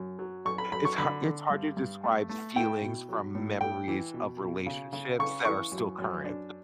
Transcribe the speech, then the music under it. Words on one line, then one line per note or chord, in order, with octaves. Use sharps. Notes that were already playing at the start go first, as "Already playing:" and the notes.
it's har it's hard to describe feelings from memories of relationships that are still current.
Already playing: F#2
F#3
F#2 C#6
B5
F#2 B5
C#6
D3 B5
D3
G2
G2
A3
A3
E4 G5
B2
F#3
A2
G3 G5
E3
B2
B2
C#3
C#3
C#3 C#6
E3 C#6
F#2
F#2
D4